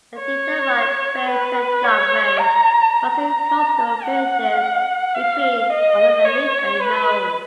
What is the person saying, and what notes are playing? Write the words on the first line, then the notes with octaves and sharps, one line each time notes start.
The Iditarod Trail Sled Dog Race runs through coastal villages between Unalakleet and Nome.
C#5
B4
C#5
A#5
A#5
F#5
F5
D#5
C#5
B4